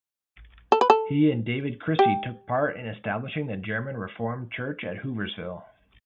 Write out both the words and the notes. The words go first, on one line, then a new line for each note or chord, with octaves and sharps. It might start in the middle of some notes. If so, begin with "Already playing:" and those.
He and David Crissey took part in establishing the German Reformed Church at Hooversville.
A4
B4
A4
G4